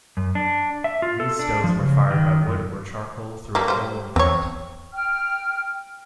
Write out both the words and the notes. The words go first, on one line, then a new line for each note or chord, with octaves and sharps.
These stoves were fired by wood or charcoal through a hole in the front.
F#2
D4
E5
F4
A4
D4
F3
C#3
D#3
F#2
G3 A3 A#3
G3 C5
E2 C4 C#5
G5 F6